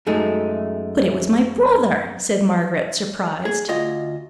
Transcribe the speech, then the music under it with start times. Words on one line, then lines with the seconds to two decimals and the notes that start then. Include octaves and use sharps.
'But it was my brother!' said Margaret, surprised.
0.07 F#2 G#3 A3 D#4
3.45 G#4
3.69 D2 F4 D#5